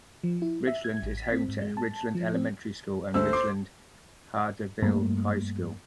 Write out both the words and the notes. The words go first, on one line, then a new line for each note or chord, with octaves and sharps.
Ridgeland is home to Ridgeland Elementary School and Ridgeland-Hardeeville High School.
F3
E4
E5
G#6
A1
B6
C4
G#2
G#3
A5
F3
C4
D2 A4 C5 E6
C6 D6 C7
G2 G3 A3 A#3